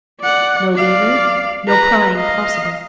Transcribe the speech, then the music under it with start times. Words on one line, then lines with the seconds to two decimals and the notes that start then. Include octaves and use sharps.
No lever; no prying possible.
0.21 D5 F#5
0.75 D5 F5
1.68 B4 A#5
2.16 D#5 F5